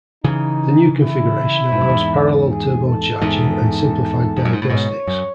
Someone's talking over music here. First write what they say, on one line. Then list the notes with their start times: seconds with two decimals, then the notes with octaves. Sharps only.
The new configuration allows parallel turbo charging and simplified diagnostics.
0.24 C#3 E3 D#4
0.98 E4
1.72 G#2
1.81 F#2
1.89 E2 G#2
2.47 G#4
2.85 A4
3.22 E2 G#2
4.37 E2
4.45 F#2
4.53 G#2
4.62 A2
4.69 G#2 B2 C#5
5.07 F#2